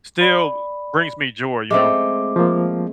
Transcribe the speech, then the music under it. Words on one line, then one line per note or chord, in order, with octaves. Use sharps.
still brings me joy, you know.
D5 B5
G#3 A3 C4 D6
F3 A#3